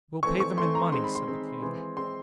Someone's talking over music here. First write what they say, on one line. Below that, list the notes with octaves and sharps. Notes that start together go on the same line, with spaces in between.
We'll pay them in money--said the king.
E3 A3 C4 C#6
C#6
E3 A3 C4 C6
A#5
D#3 G#3 C4 C6
B5
C6
D#3 G#3 C4
E3 G#3 C4
E3 G#3 C4 C6